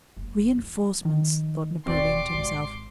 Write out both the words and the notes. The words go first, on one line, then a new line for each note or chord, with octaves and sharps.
"Reinforcements!" thought Napoleon to himself.
F#1
E2 F3
D#3
E1 C3 E3 C4 F#4 D5 C6 D6
G#1 D#3